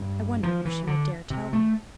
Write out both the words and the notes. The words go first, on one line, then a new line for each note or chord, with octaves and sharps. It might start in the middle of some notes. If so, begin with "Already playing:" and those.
I wondered if she would dare tell him.
Already playing: G2
F3
E3
D3
C3
A3